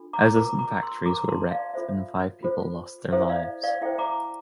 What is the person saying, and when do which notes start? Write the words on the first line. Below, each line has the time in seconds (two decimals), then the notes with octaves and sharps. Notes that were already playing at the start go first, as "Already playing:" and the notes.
Houses and factories were wrecked and five people lost their lives.
Already playing: D4 F4 A4
0.13 A#5 D6
0.36 F4 A#4 A#5 D6
0.59 A#5 D6
0.83 C6 E6
1.06 F4 A#4 A#5 D6
1.28 A5 C6
1.51 D5 F5
1.74 F4 A4 C5 E5
2.43 F4 A4 C5
3.12 E4 A4 C5 E5
3.29 D5 F5
3.63 D5 F5
3.81 E4 A4 C5 E5 G5
3.98 A#5 D6